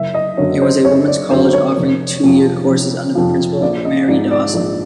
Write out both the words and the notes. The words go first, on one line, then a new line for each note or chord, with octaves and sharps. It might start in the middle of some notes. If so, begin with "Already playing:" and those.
It was a women's college offering two year courses, under the Principal Mary Dawson.
Already playing: F#1 E5
D#5
F#2 D3 F#3 C#5
C5
F#1 C#5
D5
F#2 D3 F#3 C5
C5
C#5
F1
F2 C3 F3
F1
F2 C3 F3
A#1 D5
D#5
G#2 F3 D5
D5
A#1 D5